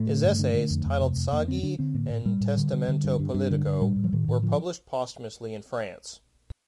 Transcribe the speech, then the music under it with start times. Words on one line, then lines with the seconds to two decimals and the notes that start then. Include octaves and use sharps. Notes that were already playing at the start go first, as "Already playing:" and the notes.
His essays, titled Saggi and Testamento Politico, were published posthumously in France.
Already playing: A2 A3
0.09 D3
0.23 G2
0.39 D3
0.54 D3
0.70 F2
0.85 F2
1.01 C3
1.16 F2
1.32 F2 A#3
1.47 D3 C4
1.63 D3 D4
1.79 D3 C4
1.94 A2 A#3
2.10 A2
2.25 A2 G3
2.41 A2
2.57 D3
2.73 D3
2.88 D3
3.04 G2
3.19 G2
3.34 G2
3.51 D3
3.66 G2
3.81 A2 G3
3.96 A2
4.04 F3
4.12 A2 D#3
4.28 A2
4.43 D3 F3